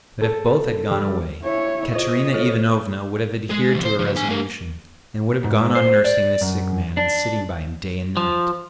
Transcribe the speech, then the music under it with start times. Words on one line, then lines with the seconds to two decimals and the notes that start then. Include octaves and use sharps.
But if both had gone away, Katerina Ivanovna would have adhered to her resolution, and would have gone on nursing the sick man and sitting by him day and night.
0.21 A4
0.91 G3
1.43 E4 C#5
1.95 F4 C5 D#5
2.33 F4 A4 C#5
3.50 G#3 G#4
3.73 D2 F3
3.85 C5
3.99 C#3 F3
4.16 D4 G#5
4.28 A3 A#4
5.44 G#2
5.75 C5
6.04 D5
6.41 F#2
6.97 D4
8.17 F3